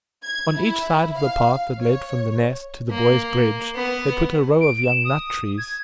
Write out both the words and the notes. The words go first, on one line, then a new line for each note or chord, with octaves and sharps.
On each side of the path that led from The Nest to the Boy's Bridge they put a row of young nut trees.
G#6
E4
F5
C#5
A#3
B3
D7
E7
D#6
G#6